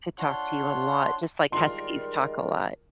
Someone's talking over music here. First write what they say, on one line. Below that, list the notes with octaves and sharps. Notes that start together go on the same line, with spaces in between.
to talk to you a lot, just like Huskies talk a lot.
D4 F4 C#5 F#5 C6
D#3 G3 G#3 D4 F4 A#4 C6